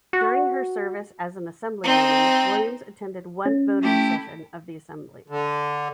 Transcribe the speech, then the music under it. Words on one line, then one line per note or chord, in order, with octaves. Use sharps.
During her service as an assemblywoman, Williams attended one voting session of the Assembly.
F#4
C4 D#4
C#4
A3 E4 G4
D3